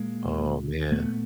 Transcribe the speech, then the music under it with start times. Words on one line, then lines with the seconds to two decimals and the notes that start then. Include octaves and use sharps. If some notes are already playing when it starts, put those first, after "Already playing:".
Oh, man.
Already playing: A#2 G#3 A#3
0.92 A#2 A3 B3